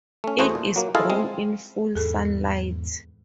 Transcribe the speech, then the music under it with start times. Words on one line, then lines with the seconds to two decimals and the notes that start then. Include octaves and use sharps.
It is grown in full sunlight.
0.24 A3 C#4
0.39 E2 A3 B3 F#4 G#4 C5
0.55 A#2
0.76 F#3 A#3
0.95 E4 F4 G#4 A4 D#5 F5
1.10 G#3 C4
1.95 E2 G#2 G#4 A4